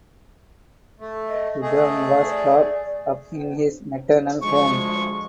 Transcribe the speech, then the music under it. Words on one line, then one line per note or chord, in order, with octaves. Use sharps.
Ibrahim was brought up in his maternal home.
A3
D#5
A3 G#4
D5
D2 F3 G#3 C#6